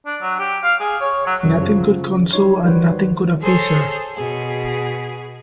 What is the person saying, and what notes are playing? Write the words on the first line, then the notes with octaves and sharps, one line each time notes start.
Nothing could console and nothing could appease her.
D4
F#3
G4
F5
G#4
C#5
F#3
C2 F#2 G3
C#3 F3
F#3 D#4 C#5 C6
D#3 G3 F#4 B4 C5
G#4 A4 C5 C#5
B2 G#4